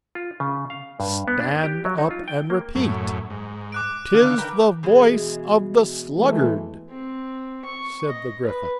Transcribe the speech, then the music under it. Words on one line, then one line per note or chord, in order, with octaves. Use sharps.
'Stand up and repeat "'TIS THE VOICE OF THE SLUGGARD,"' said the Gryphon.
F4
C#3
F5
G2
B3
D4
G4
F#3
D#4
F4
G5
A#3
F#2 A2
G#2
D6 F#6 D7
D3 D#3 F5
A#4 B4 G5
B2 E3 G#3
E3 G#3 A3
C4
C#6
D#5
B4